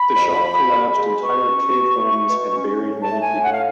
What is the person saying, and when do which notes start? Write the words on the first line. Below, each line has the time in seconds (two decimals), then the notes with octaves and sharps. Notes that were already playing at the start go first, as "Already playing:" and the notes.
The shock collapsed entire cave homes and buried many people.
Already playing: B5
0.16 F2
0.43 F3
0.69 F2
0.96 G#3
1.22 B2 C#6
1.49 C#4
1.76 B2
2.02 A3
2.29 B2
2.55 C#4
2.81 A2
3.02 A5
3.08 A3
3.21 G#5
3.35 A2
3.42 F#5
3.53 F5